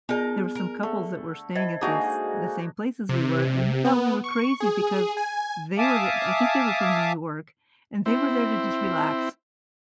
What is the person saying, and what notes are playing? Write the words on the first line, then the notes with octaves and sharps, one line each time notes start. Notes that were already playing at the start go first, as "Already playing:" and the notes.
there were some couples that were staying at this the same place as we were, and they thought we were crazy because they were the I think they were from New York, and they were there to just relax.
B3 D#4 G#4 A#4 A5
A#4
D3 A3
E4 C5 D#5 G#6
G#3 A#3 D4 D#4 F#4 G#4
C3
B3
C#6
G#4
G#5
E5 F5 G#5 A5 D6 D#6
C4 E4